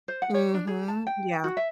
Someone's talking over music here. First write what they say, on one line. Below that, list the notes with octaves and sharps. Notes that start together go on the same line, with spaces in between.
Mhm, yeah.
C5
F#5
C#5
D4
G#4
A5
G5
F#4
E5